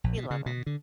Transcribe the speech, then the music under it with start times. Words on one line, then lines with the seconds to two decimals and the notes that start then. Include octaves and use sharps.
We love 'em.
0.04 A#1
0.17 B2
0.30 C#3
0.46 B2
0.66 D3